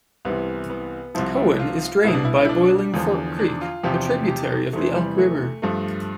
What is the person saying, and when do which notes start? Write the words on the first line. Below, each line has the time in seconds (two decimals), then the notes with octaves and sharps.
Cowan is drained by Boiling Fork Creek, a tributary of the Elk River.
0.25 C2 C3 E3 B3
0.70 B3
1.15 C2 C3 F3 E4
1.37 E4
1.59 F4
2.04 C2 B2 E4
2.14 D4
2.25 E4
2.45 E4
2.49 D4
2.94 E2 D3 F3
3.39 D4
3.61 F4
3.83 E2 C3 F3 G4
4.06 G4
4.28 G4
4.73 E2 C3 E3 A3
4.96 G3
5.18 A3
5.62 G2 F3 A3